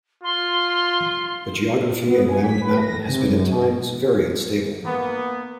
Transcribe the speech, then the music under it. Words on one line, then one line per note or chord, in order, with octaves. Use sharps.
The geography in Round Mountain has been at times very unstable.
F4 C6
B3
G#5
B6
B4
A#6
C3
F#2
A#3 B3